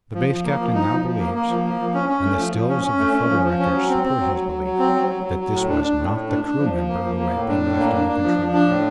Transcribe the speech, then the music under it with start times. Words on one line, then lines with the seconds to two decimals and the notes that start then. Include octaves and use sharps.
The Base Captain now believes, and the stills of the photorecord support his belief, that this was not the crew member who had been left in the control room.
0.14 F3
0.29 F3
0.45 A#3
0.59 F3
0.75 D#4
0.89 F3
1.04 F3
1.19 A#3
1.34 A#3
1.49 F3
1.64 A#3
1.79 F3
1.94 C#4
2.09 C#4
2.24 A3
2.39 F3
2.54 F3
2.69 C#4
2.84 C#4
2.99 A3
3.14 C#4
3.29 F3
3.44 F3
3.59 C#4
3.74 F#3
3.89 C4
4.04 C4
4.19 F#3
4.34 F#3
4.49 F#3
4.64 F#3
4.79 C4
4.94 F#3
5.09 F#3
5.23 F#3
5.39 F#3
5.54 A2
5.68 D4
5.84 D4
5.99 A2
6.14 A2
6.28 D4
6.44 D4
6.59 F3
6.73 F3
6.89 A#3
7.04 F3
7.19 A#3
7.33 A2
7.48 D4
7.63 A2
7.79 A#3
7.93 D4
8.08 D4
8.23 F3
8.39 F3
8.53 D4
8.68 A2